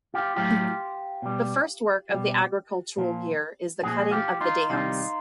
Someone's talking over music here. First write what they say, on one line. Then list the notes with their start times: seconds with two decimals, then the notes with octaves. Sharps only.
The first work of the agricultural year is the cutting of the dams.
0.14 F4 G4
0.36 A2 F#3 F4 G4
1.22 B2 G3
2.09 B2 G3
2.97 A#2 F3
3.82 A#2 F3 F#4 G#4
4.11 F4 G4
4.41 D#4 F4
4.69 C3 D#3 G3 D#4 F4